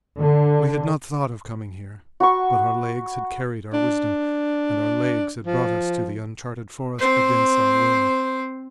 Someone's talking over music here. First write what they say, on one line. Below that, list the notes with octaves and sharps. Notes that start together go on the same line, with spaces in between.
We had not thought of coming here, but our legs had carried our wisdom, and our legs had brought us to the Uncharted Forest against our will.
D3
F#4 B5 C#6
D4
F3
C4 C5